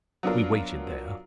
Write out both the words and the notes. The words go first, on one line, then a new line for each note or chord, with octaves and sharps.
We waited there.
F#3 B3 D4 F4 A#4